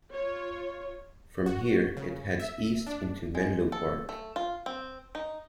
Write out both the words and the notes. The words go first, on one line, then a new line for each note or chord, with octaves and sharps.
From here, it heads east into Menlo Park.
F4 C#5
F#4
C#3
E5
D4
G#3
A4
A3
F4
C4
D#4